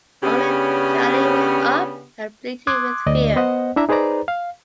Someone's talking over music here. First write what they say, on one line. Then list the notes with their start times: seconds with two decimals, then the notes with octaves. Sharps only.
Only Djali was up, and bleated with fear.
0.23 C#3 B3 C#4 D4 G4
2.67 C6 D6 D#6 F#6 G#6
3.06 D2 D5 D#5
3.36 B3 C5 D#5 F#5
3.76 D4 E4 E5 A#5
3.89 D#4 G#4 B4 C5 D5 A#5
4.28 F5